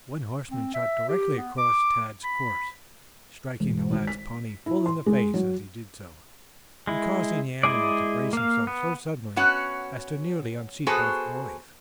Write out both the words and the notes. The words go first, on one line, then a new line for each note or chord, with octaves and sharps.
One horseman shot directly across Tad's course, striking the lad's pony full in the face as he did so, and causing the animal to brace himself so suddenly as to nearly unseat both boys.
C4
E5
G4
B3
D6
B5
E1
G#1
B6
E4
C6
G#3
F#3
G#3 E4
G#3 E4 G#4 D5
A#3 F5
B3
B3 C#4 F#4 F#5
B3 F#4 G#4 A4 C5 G#5